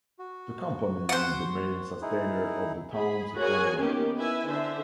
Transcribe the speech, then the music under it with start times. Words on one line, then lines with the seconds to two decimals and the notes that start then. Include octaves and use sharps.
The company is the main sustainer of the town's economy.
0.19 F#4
1.09 C5 F#5
2.02 D#4 E4 G#4
2.91 G#4 B5
3.37 F#4 G#4 A#4 C#5 G#5
3.77 D#3 A#3 B3 C#4 G4
4.16 E4 B4 E5 G#5
4.47 D3 C5 E5